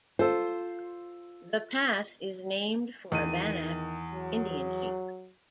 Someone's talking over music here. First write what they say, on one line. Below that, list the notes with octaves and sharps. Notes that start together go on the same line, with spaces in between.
The pass is named for a Bannack Indian chief.
F4 A4 C5
E2 D#3 D#7
F#3